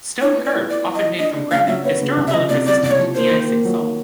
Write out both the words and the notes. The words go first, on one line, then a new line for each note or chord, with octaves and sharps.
Stone curb, often made from granite, is durable and resistant to de-icing salt.
E4 C#5
B3
D5
E4
E4 D5
E4
D#5
E4
D4 D#5
D4
C#3 F5
F#3 E5
B3 C#5
C#3
C2
E5
F3 D#5
C3 D5
C3 D5
C2 D5
C#5
F3
A#3 C5
D#3
A#3
F#3
D#3